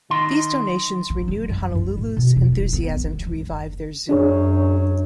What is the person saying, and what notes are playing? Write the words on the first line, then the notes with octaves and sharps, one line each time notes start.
These donations renewed Honolulu's enthusiasm to revive their zoo.
D#3 D#4 C6
A#3
F#3
F#2
F4
A2
B2
E1
E4
B3
D3
C#2
F#1
F#2 D4 G#4 C#5